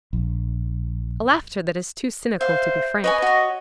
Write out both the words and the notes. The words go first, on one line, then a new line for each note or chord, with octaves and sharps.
A laughter that is too cynical to be frank.
A#1
C5 E5 F5
B4 C#5 D#5 G#5
F#4 C#5